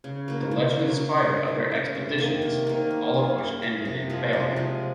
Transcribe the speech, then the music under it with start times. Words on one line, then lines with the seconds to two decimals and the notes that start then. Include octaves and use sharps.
The legend inspired other expeditions, all of which ended in failure.
0.04 C#3
0.28 F#3 A#3
0.51 C#3
0.76 F#3 A#3
0.99 F#3
1.23 C#4 G#4
1.48 F#3
1.71 C#4 G#4
1.95 C3
2.18 D#3 A#3
2.42 C3
2.67 D#3 A#3
2.91 A#3
3.14 F4 G#4
3.38 A#3
3.62 F4 G#4
3.85 C3
4.10 F3 G#3
4.33 C3
4.56 F3 G#3